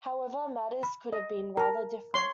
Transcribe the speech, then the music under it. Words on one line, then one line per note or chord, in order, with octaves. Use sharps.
However, matters could have been rather different.
B5
D#5
A#4 A5 A#5
C#5 C6